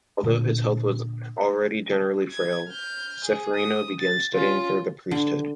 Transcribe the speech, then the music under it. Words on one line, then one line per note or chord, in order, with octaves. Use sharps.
Although his health was already generally frail, Ceferino began studying for the priesthood.
A#2 D3
G#6
F6 G6
G#4
D#6
A6
C#4 F4
D3